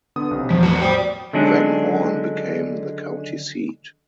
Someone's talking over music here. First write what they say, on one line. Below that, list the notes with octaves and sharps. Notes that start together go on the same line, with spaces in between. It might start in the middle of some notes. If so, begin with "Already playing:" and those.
Van Horn became the county seat.
D3 B3 D#6
B1 C3
E2 F3
A2 F#4
C5 D5 G5 D#6
D3 D#3 F#3 G#3 C#4 D4